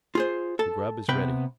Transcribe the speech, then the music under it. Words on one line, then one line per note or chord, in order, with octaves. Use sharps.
The grub is ready.
F4 G#4 C5
A4 A5
C3 B3 B4 G5